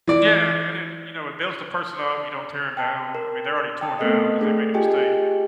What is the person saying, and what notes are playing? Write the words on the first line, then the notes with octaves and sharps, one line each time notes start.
Yeah, and it, you know, it builds the person up, you don't tear 'em down. I mean, they're already torn down because they made a mistake.
E3 D5
G5 A5
A#4
G5 A5 D#6
A3 B3 C4 A4 A#4 D#5
A3 D4 G#4 A4
F4 G4 G#4 D#5 G5 G#5